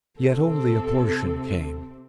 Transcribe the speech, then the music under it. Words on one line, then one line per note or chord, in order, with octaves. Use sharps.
Yet only a portion came.
C3 C4 A4